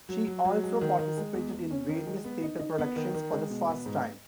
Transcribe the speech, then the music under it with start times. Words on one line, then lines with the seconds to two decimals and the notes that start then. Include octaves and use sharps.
She also participated in various theater productions for the first time.
0.09 F#3
0.26 F#3
0.45 F#3
0.64 G#3
0.81 D#3
0.99 D#3
1.17 G#3
1.34 E2
1.53 E2
1.71 C#4
1.89 D#3
2.07 G#3
2.24 B3
2.42 D#4
2.59 D#4
2.78 B3
2.96 D#3
3.14 D#3
3.32 G#3
3.50 B2
3.67 B3
3.86 G#2